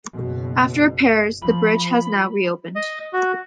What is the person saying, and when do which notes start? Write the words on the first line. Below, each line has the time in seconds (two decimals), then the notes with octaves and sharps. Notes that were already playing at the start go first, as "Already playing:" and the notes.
After repairs, the bridge has now re-opened.
0.14 F#1 B2
1.42 F3 B5
2.76 D#5
3.13 F#4